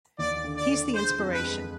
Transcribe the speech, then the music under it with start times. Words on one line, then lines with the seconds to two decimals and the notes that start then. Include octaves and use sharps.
He's the inspiration.
0.19 D#2 D5
0.44 D3
0.56 D5
0.69 D3
0.94 G#3 C5
1.18 F2
1.32 B4
1.44 G#3